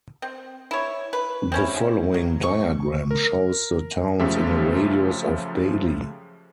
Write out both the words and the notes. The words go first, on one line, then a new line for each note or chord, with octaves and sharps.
The following diagram shows the towns in a radius of Bailey.
C4
E4 C#5
B4
C4 C#4 E4
F#3
C#6
A#4
F#2 C#3 F3 A3 G4 E5